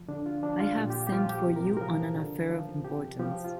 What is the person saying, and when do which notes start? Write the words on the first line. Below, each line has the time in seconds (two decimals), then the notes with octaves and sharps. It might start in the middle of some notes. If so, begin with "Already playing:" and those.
I have sent for you on an affair of importance.
Already playing: F3
0.08 D3 D4
0.26 F4
0.43 F3 D4
0.60 F4
0.77 A#2 G4
0.90 G4
0.95 F4
1.07 G4
1.12 F3 F4
1.29 G4
1.47 C3
1.56 A#4
1.67 G4
1.77 F3 A#4
2.15 D3
2.50 F3
2.85 C3 G4
3.19 F3 G4
3.44 F4